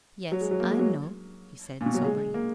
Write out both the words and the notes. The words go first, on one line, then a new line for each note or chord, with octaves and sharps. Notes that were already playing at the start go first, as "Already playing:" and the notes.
"Yes, I know," he said soberly.
F#3
G#3
F#3
A#3
G#3
F#3
A#2
B2
F#3
G#3
A#3